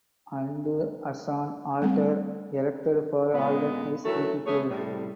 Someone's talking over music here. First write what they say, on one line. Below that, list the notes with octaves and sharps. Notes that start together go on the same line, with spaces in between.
And as an altar erected for all that is beautiful.
G3 A3 C4
A#2 G#3 B3
D#3 E3 F#3 A3 F#4 A4
G#3 A3 B3 G#4 C#5
A2 C3 G3